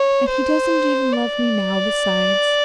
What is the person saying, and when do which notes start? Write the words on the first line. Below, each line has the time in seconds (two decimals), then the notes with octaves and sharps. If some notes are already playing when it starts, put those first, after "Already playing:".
"And he doesn't even love me now, besides."
Already playing: C#5
0.29 C5
1.13 D5